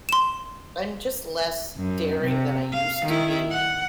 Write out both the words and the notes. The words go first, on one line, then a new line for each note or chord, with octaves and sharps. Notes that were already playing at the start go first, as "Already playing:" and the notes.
I'm just less daring than I used to be.
C6 E7
F#2
C3
F5
D#3 E4
F#5